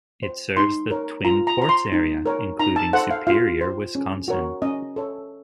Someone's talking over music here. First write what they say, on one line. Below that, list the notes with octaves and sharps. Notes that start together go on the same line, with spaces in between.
It serves the Twin Ports area, including Superior, Wisconsin.
C5
D#4 C6
A#4 C#5
F4 A#5
A#5
C5 A#5
C6
D#4
A#4 C#5
D#4 A#5
A5
A4 C5 F#5
F5
F4 F5
C5
C#4
F#4 A#4 C#5
C#4 D#5
A4 C#5